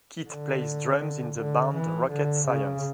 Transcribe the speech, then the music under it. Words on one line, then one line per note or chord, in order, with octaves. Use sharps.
Kit plays drums in the band Rocket Science.
D3
D3
E3
D3
C#3